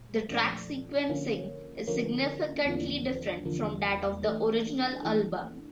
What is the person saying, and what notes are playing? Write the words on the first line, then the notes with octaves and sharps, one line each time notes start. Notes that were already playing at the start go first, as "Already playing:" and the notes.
The track sequencing is significantly different from that of the original album.
Already playing: A#2
A#2 F3 A3 D4
D3 F3 A#3 C#4
D3 F3 A#3 C#4
E2 D3 F3 A#3 D4
E2 D3 F3 A#3 D4
E3 A3 D4
E3 A3 D4